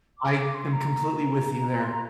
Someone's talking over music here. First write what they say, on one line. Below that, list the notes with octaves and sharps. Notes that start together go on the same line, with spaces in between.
I am completely with you there.
D6
D6
C6
A#5
C6
A#5